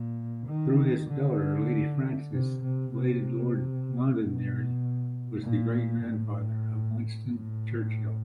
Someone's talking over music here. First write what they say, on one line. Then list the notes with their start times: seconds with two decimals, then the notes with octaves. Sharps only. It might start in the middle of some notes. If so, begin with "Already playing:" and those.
Through his daughter Lady Frances, Lord Londonderry was the great-grandfather of Winston Churchill.
Already playing: A#2
0.46 D#3
1.09 D3
2.32 C3
2.63 C3
2.95 C3
4.18 B2
5.42 A#2
6.04 A2
7.27 A2